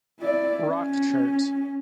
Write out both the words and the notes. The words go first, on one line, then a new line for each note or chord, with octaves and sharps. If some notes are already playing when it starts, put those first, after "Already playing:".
Rock Chart.
E4 D5
C#4